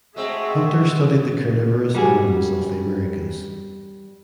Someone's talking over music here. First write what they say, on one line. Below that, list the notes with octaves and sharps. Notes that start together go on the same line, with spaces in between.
Hunter studied the carnivorous animals of the Americas.
G#3 A3 C4 F#4 G#4 A4 E5
G3 F#4 G#4